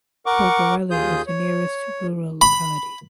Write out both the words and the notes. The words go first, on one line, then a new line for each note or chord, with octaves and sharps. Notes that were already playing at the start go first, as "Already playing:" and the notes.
Pogorely is the nearest rural locality.
A#4 F#5 C#6 D6
D#2 F4 G#4 D#6 G6
C#5
B5